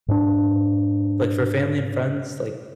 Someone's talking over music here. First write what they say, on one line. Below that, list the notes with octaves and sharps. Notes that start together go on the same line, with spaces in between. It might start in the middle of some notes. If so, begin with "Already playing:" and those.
like for family and friends, like,
G#2 D4